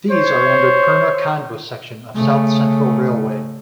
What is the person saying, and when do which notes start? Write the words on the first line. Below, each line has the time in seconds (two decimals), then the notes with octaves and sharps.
These are under Purna - Khandwa Section of South Central Railway.
0.11 C5 C#5
2.15 C#3 A3